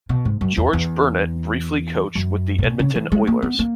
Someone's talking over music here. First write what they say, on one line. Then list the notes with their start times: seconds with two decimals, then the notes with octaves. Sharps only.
George Burnett briefly coached with the Edmonton Oilers.
0.09 B2
0.25 G#2
0.41 F#2
0.57 E2
0.73 E2
2.15 F#2
2.58 A#2
2.63 B2
2.79 C#3
2.95 E3
3.12 G#3
3.27 A#3
3.42 B3
3.59 A#3